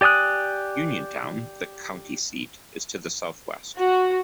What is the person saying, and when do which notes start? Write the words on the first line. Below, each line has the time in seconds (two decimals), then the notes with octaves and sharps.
Uniontown, the county seat, is to the southwest.
0.01 G4 D5 G#5 D#6 F#6
3.78 F#4